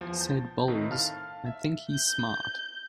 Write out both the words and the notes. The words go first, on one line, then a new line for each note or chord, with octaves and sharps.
Said Bowles: I think he's smart.
E2 F3
A5 G6
A2 D#3 A3 C4 D#4
F5 A5 F6
E5
G6